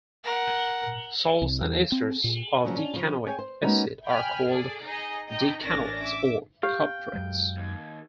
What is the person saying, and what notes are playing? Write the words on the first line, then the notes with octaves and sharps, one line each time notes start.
Salts and esters of decanoic acid are called decanoates or "caprates".
A#4 F#5
C2
E2
C4
A#2
A#2 C#3 F3 F#3 C#4 D4
C#4 D4
C#3 F3
G#4 C#5 G5 G#5
C5
G#3 A#3 B3 C#4 D#4 F#4
G5 G#5 B5 F6
G#4 A4 D5
D#4 G#4 D#5
D#4 D#5 G5
A1 C#4 D4 A#4 A6 A#6
E5 D6
G4 F5 G5
F#2 F#3 G#3
D#2